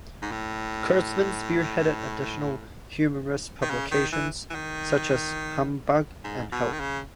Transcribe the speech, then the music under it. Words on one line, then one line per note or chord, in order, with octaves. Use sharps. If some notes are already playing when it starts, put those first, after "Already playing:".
Kurtzman spearheaded additional humorous publications such as "Humbug" and "Help!".
G#2
A2
D#3
C#3
D#3
E3
E3
D#3
G#2
B2
D#3
C#3